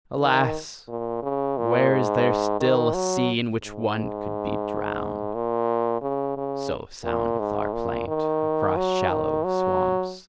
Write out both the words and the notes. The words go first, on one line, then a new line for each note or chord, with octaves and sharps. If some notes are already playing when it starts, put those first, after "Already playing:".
'Alas! where is there still a sea in which one could be drowned?' so soundeth our plaint--across shallow swamps.
D#3
A#2
C#3
A#2
G#2
D#3
F#3
G#2
A#2
C#3
C#3
A#2
G#2
A#2
D#3
F#3
D#3
F#3